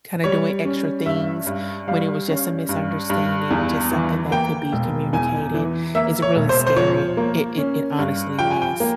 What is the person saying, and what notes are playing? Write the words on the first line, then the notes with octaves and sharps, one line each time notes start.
kinda doing extra things when it was just a misunderstanding, just something that could be communicated is really scary. It it it honestly is.
G3 C#5
C#4
G2 E5
G2
G3 F5
C#4
G2
G2
E2
E3
A#3 G5
E1
E2 G#5
E3
A#3 E5
C#5
E1
C5
C5
F3 C#5
A#3
C#4
G2
F3 G5
G#5
G5
A#3